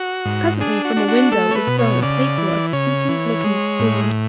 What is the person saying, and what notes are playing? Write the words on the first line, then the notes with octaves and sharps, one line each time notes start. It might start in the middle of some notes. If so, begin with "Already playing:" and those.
Presently from a window was thrown a plateful of tempting-looking food.
Already playing: F#4
G#2
D4 G#4
F#4
D4
F#4
A3 A4
C#5
B4
B2
C#5
C#3 D5
E3
C#3 C#5
E3
G#3
A2